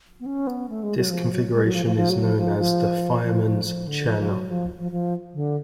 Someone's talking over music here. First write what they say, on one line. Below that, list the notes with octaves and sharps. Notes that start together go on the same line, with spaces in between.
This configuration is known as the fireman's chair knot.
B3
C#4
B3
A3
G#3
F#3
F3
F#3
G#3
F#3
F3
F3
F3
F#3
F3
F3
F3
F3
F3
F3
D3
F3
F3
F#3
F3
F3
F3
D3